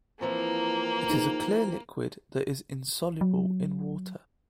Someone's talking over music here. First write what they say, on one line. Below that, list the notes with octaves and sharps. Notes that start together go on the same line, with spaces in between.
It is a clear liquid that is insoluble in water.
E3 F3 A#3 C4 A#5
D#4 G#4
F#3